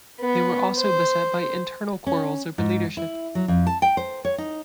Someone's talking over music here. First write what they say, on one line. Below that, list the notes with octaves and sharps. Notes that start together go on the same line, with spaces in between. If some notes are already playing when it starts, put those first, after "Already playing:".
They were also beset by internal quarrels over leadership.
B3
C5
C#4
G#2
E4
F#3
F2
A5
G5
C5
C#5
D#4